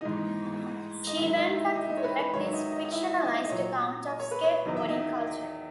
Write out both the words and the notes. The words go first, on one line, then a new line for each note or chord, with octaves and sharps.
She went on to direct this fictionalized account of skateboarding culture.
G#2 E3 D#4 D#5
D#5
G#2 D#3 F#3 E4 E5
D#4 D#5
E4 E5
D#4 D#5
E5
D#4 D#5
C#5
B4
B4
G#2 D#3 F#3 C#5
E5
D#4 D#5
D#4 D#5
D#5
E4 E5
D#4 D#5
D#5
A#2 F#3 C#5
D#5
C#5
B4
C#5
E2 D#3 F#3 D#5
E5
D#4 D#5